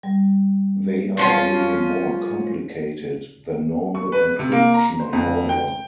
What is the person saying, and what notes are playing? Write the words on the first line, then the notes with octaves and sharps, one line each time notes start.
They are a little more complicated than normal encryption however.
G3
F3 C#4 F4
C#6
B4
C3
A#3
A#5
C5
F2
G5